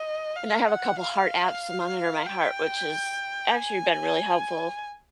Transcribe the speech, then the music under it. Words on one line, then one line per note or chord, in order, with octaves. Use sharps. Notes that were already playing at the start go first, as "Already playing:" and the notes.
And I have a couple heart apps to monitor my heart, which has actually been really helpful.
Already playing: D#5
F5
F#5
F5
G5
G#5